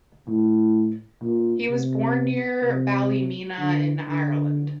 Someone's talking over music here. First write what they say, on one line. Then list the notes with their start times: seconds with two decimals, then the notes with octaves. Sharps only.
He was born near Ballymena in Ireland.
0.28 A2
1.23 A#2
1.70 C3
2.64 C3
3.60 D3
4.08 D3